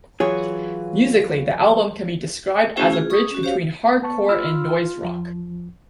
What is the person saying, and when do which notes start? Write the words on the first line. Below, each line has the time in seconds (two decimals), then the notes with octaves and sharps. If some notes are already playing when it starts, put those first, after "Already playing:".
Musically, the album can be described as a bridge between hardcore and noise rock.
0.20 E3 F#3 F4 G#4 C#5
2.77 A3 C#4 E4 F#4 G#4 C5
2.92 F4 G#4
3.10 G#4 C#6 D#6
3.31 C#4 F#4
3.43 G4 C5 C#5 F5
4.02 B3 A5 C#6
4.29 F4 B5 E6 F6
5.02 E2 F3